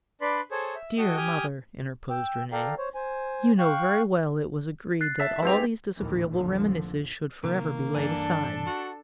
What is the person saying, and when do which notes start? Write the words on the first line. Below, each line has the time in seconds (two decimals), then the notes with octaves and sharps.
"Dear mother," interposed Renee, "you know very well it was agreed that all these disagreeable reminiscences should forever be laid aside."
0.21 D4 B4 D5 B5 C6
0.51 G#4 A4 C5 C#5
0.75 E5
0.98 F#4 A4 D#5 G5 D#6
1.17 G4 G#5 D#6 F6 G6
2.10 G5 E6
2.52 A4 D5 F5 G5 A#5
2.78 C5 C#5
2.95 C5 G#5
3.59 F5 G5 C#6 F#6
5.01 F#6 A6 C7
5.19 E5 A5
5.42 G#2 C4 G4 B4 F7
5.97 A#1 D#2 A2 D#3 E3
6.31 F1 A#1 D3 F3
7.44 C3 D#3 A#3
7.95 G2 E3 D4 A4 G#5
8.66 F#4